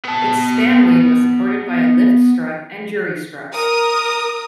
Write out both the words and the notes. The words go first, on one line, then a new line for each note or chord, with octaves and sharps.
Its span wing was supported by a lift strut and jury struts.
B3 A5
A#4 D#6